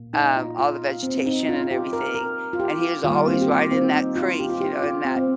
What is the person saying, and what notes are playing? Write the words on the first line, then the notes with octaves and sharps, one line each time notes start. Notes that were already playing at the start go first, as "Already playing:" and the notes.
um, all the vegetation and everything, and he was always right in that creek, you know, in that
Already playing: A#2 A#3
D#4
F4
F4
C4
C4
D#4
F4
F4
G4
A#4
A#4
F4
G4
D#3 G3 A#3 F4
C4
G4
F4
C4
D#4
F4
G4
F4
G4
F4
C4
C4